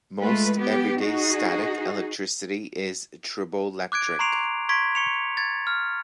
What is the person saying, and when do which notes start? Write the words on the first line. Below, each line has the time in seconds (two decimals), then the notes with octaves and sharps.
Most everyday static electricity is triboelectric.
0.21 G#3 A3 F4 B4
0.54 B3 G4
1.00 D#4 F#4 G#4
3.92 D6 F#6 G#6 D7
4.19 A#5 C6 C#6 C7 D7 F7
4.69 C6 C#6 G#6 B6 D7
4.95 C#6 C#7 F7
5.37 G#6 A6
5.67 F6